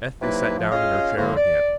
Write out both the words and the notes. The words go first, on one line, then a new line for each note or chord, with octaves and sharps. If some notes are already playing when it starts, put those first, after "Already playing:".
Ethne sat down in her chair again.
C3 F#3 A#3 D#4 E4 B4
F3
C#4 F4 G#4 D#5 F5
A2 D3 G#3 A#3
D5